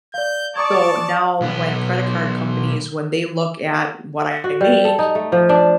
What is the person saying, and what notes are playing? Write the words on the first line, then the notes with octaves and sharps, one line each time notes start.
so now when credit card companies, when they look at what I make,
D5 F5 G6
D5 A5 A#5 C#6 D#6 G#6
B1 B3
F#4
G3
A4
D#4
A3
F3
D4